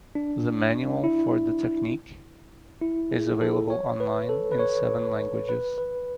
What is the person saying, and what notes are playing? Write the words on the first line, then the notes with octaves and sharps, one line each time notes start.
The manual for the technique is available online in seven languages.
D4
E4
E4
G#4
A4
C#5
B4
A4
B4
C#5
B4
B4